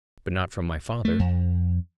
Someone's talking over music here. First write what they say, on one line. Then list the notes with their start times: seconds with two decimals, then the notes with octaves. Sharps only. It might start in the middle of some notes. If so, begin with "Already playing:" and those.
But not from my father.
1.05 A3
1.19 F2